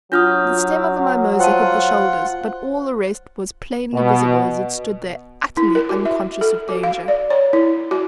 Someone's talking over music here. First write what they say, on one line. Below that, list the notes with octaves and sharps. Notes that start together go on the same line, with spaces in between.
The stem of a mimosa hid the shoulders, but all the rest was plainly visible as it stood there utterly unconscious of danger.
F#3 D4 F4 D#6 F6 G6
F4 C5 F#5 G5 A5
B2
E4
A#4
F#4
E5
A4
F#4
F5
D5
C#5
E4
F#4